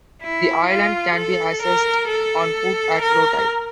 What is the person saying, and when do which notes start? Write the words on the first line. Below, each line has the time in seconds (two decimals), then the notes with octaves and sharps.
The island can be accessed on foot at low tide.
0.22 E4
0.68 F4
1.16 A4
1.62 A#4
2.08 A4
3.02 A#4